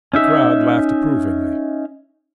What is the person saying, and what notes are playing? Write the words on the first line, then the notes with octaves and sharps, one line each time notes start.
The crowd laughed approvingly.
C#4 D#4 E5